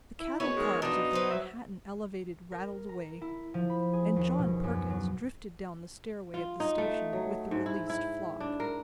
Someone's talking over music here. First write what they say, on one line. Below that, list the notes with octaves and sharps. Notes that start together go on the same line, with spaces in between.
The cattle cars of the Manhattan Elevated rattled away, and John Perkins drifted down the stairway of the station with the released flock.
E4
F#2 B2 B3 F#4 G#4 C#5
D#3 G#3
B2 D4 D#4 F4
B4 C5 D5
F#3 E5
A#4
A#5
E4
F3
B5
G#4
D#2
B2
F#2
F#3
F4
D#4
A3
F#3
G#2
E4
E4
D4
A#4